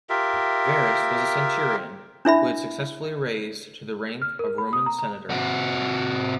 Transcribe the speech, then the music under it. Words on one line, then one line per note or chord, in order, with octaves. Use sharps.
Verus was a centurion, who had successfully raised to the rank of Roman Senator.
F4 G4 A#4 E5
D4 E4 E5 B5
F6
A#4
B5
D#6
A#5
A#5
C3 F#4